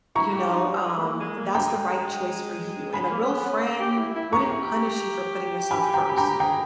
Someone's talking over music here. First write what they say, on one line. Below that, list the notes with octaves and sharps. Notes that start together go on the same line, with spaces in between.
You know, um, that's the right choice for you, and a real friend wouldn't punish you for putting yourself first.
E4 A#5 C#6
G4
D#4
G3
G#3
B3
A#3
G#3
A#3
G#3 G5 A#5
G#3 G#5 B5
A#3
C#4
B3
C#4
G4
G4
E4
E4
G#4 A#5 C#6
G4
E4
G4
G#5 B5
G5 A#5
B5
G5 A#5
G#4 G5 A#5